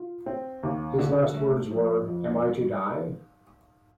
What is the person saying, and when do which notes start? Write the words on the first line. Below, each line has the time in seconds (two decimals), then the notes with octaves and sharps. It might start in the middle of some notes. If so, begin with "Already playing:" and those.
His last words were, Am I to die?
Already playing: F4
0.26 C4
0.63 D#2
0.98 D3
1.35 A3
1.71 F3
2.07 F2